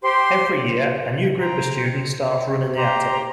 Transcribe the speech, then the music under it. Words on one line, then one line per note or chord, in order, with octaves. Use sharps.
Every year a new group of students starts running the attic.
G4 C5 G5 C6
C5 G5 A#5
G4 C5 A#5